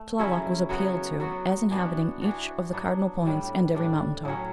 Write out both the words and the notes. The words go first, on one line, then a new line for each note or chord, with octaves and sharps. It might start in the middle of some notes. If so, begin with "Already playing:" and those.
Tlaloc was appealed to as inhabiting each of the cardinal points and every mountain top.
Already playing: A3
C#3 F#3 C#4 E4
C#3 F#3 B3 F#4
F#3 B3 F#4
E3 B3 D4 F#4
E3 B3 D4 F#4
F#3 B3 D4
A2 G3 D4
A2 G3 D4
A2 F#3 C#4